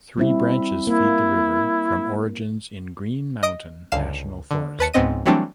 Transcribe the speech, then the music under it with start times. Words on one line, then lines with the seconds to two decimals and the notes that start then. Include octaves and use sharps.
Three branches feed the river from origins in Green Mountain National Forest.
0.17 G3 C4 E4
0.87 A#3 E4
3.43 D#5 D#6 D7
3.92 C#2 D3 F5 C7 E7
4.51 D3
4.79 D#2 B4 A5 C#7
4.93 C#2 G#2 B3 C4 D#5 D#7
5.26 E3 F#3 G3 A3 C4 D4